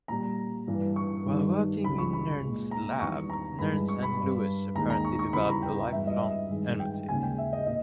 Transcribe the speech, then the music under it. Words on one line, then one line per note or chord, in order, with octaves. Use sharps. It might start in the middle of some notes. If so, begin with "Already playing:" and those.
While working in Nernst's lab, Nernst and Lewis apparently developed a lifelong enmity.
A#2 G3 A#5
G2 E3 G3
C#6
G2 D#3 G3
C#2 C#3 G3 B5
C#6
B5
A#2 G#3
A#5
E2 D#3 G3 C#6
A#5
G2 E3 G#3 B5
C#6
B5
G2 G3
D#2 D#3 G#3 A#5
A#5
C#6
C#6
E2 C#3 E3 G3 B5
A#5
G5
G2 E3 G#3 E5
D#5
E5
G2 D#3 G#3
G5
D#2 C#3 G#3 G#5
G5
E5
D#5
A#2 D#5